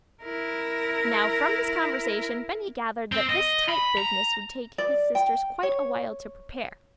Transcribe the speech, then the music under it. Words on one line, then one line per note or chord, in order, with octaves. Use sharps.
Now from this conversation Benny gathered that this type-business would take his sisters quite a while to prepare.
E4 A#4
C4
D#5
B5
A#5
D5
G5
C#5